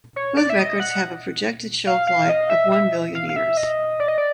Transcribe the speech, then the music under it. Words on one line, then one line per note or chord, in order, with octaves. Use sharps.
Both records have a projected shelf life of one billion years.
C#5
D5
E5
D#5
F#5
F5
F5
D#5
E5
E5
F5
F5
E5
D#5
D5
D#5
D5